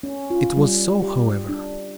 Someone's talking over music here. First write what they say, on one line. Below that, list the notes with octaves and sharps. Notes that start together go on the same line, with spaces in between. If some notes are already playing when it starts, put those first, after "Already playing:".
It was so, however.
C#4
F4
G3
G4
D4